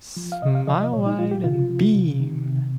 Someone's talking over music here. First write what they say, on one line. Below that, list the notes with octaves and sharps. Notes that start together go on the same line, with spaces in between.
Smile wide and beam.
F3
F5
C3 D#5
F5
F3 D#5
D#5
A#2 C#5
D#4
F3 F4
G4
C3 F4
F3
C3
D#3
C3